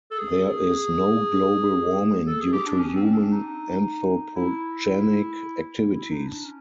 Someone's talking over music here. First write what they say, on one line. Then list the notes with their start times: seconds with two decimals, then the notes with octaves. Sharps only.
There is no global warming due to human anthropogenic activities.
0.11 A4
0.18 G#4
2.27 A4
2.40 G#4
2.53 G4
2.67 D4
2.79 C#4
2.96 C4
3.14 D4
3.32 D#4
4.36 E4
5.93 E4
6.10 D#4
6.27 D4
6.45 C#4